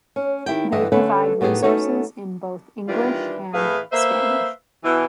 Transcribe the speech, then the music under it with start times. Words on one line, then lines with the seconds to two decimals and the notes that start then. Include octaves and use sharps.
They provide resources in both English and Spanish.
0.16 C#4
0.46 D#3 E4 G4 G5
0.72 G2 D3 E3 E4 D#5
0.92 D3 A3 C#4 B4
1.41 A2 B3 D#4 G4 G#4
1.62 A3 B3 C#4 D#4 F#4 C#5
2.88 D#3 E3 G3 D4 F4
3.54 A2 E3 G#4 B4 F5
3.91 A#3 B4 C5 E5
4.84 B2 E3